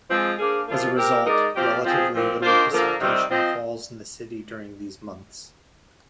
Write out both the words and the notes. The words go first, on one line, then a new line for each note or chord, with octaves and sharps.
As a result, relatively little precipitation falls in the city during these months.
F3 G#3 C4 F4 G#4
A#3 D4 G#4 C5 F5
C3 F3 A#3 F4
C4 G4 A#4
G#3 D#4 A#4 D5
F3 C4 G4 D5 F5
F3 C4 F4 G#4
A#2 F3 C4
D#3 A#3 D4 F4 C5
D3 F3 A#3
C3 D#3 G3 C4
F3 C4 F4 C5 D#5